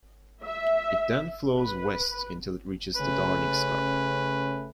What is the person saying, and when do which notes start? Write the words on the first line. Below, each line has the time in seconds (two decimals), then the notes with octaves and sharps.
It then flows west until it reaches the Darling Scarp.
0.43 E5
1.58 B4
2.97 C#3 A3 C#4 B4